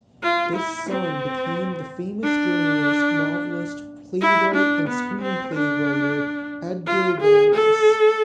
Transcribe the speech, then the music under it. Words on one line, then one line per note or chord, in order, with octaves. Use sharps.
This son became the famous journalist, novelist, playwright and screenplay writer Edgar Wallace.
F4
E4
C4
D4
E4
D4
B3
C4
D4
F4
G#4
A4